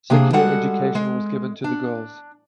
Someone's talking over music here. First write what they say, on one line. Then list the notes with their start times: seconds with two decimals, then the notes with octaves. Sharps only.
Secular education was given to girls.
0.10 C3 A#3 D4 G#4
0.33 G3 G#3 F#4 A4 F#5
0.95 G#3
1.64 D4